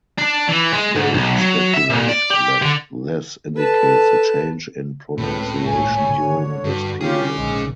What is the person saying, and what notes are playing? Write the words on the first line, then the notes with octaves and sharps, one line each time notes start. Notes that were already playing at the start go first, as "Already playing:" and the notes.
They speculate that this indicates a change in pronunciation during this period.
D4
E3
G#3
G#2
B1
F#3
E5
A#2
D5
G4
D3
A4 B4 A5
C#2 A2 C4 B4
G#1 C#2 C#5 G#5
D3
G2 F#4
C#3 C#4 F4 G4 G#4 D6
A#1 G#2 G#3